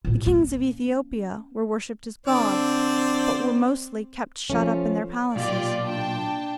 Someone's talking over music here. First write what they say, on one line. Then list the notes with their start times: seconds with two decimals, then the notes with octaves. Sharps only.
The kings of Ethiopia were worshipped as gods, but were mostly kept shut up in their palaces.
0.05 A1 A#2
0.26 A#3 C#4
2.27 D3 C4 C5 D5
4.50 F3 A3 C#4
5.36 B1 A#2 F4 G4 D5
5.83 D4 G5 A5